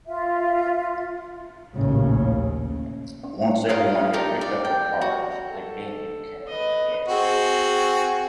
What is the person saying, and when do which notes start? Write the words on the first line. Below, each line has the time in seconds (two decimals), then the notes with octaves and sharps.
Once everyone has picked up their cards, the game can begin.
0.06 F4 E5
1.74 A#1 D#2 A2 C#3
3.69 F4 A#4 D#5 F5
4.13 D#4 G4 A4 A#4
4.41 D5
4.65 G5
5.01 F#4
5.49 A4
6.48 B4 D#5
7.08 C4 F#4 G#4 G#5